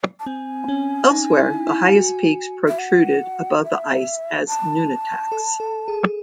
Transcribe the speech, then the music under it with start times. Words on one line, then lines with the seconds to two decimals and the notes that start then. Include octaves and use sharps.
Elsewhere the highest peaks protruded above the ice as nunataks.
0.20 A5
0.26 C4 G#5
0.68 C#4
1.11 D#4
1.39 E4
1.67 E4
1.95 F#4
2.68 E5
2.79 F#5
3.64 E5
4.48 A5
5.32 A4
5.60 A4
5.88 G#4